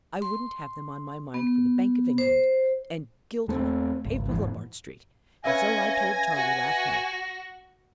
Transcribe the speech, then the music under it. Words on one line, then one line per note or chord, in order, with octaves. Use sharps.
I wouldn't have them on my mind for the Bank of England, and Guildhall, paved with Lombard Street, and so I told Charley last night.
C6
B3
C5
E2 A3 A#3 C4
G#1 C#2
E1 G#2 E3 F3
C#4 B4 E5 F5 G#5 A#6
F#4